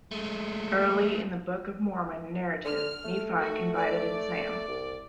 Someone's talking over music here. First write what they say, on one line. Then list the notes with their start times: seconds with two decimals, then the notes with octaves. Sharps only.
Early in the Book of Mormon narrative, Nephi confided in Sam.
0.12 G#3 A3
2.65 D3 F6
3.04 A3
3.39 F#4
3.75 D5
4.68 C2